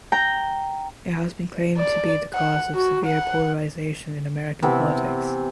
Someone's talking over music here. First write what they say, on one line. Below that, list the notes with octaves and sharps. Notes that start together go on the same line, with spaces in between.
It has been claimed to be the cause of severe polarization in American politics.
G5 A#5
D5
F#5
F#4
F#5
C3 E3 B3 E5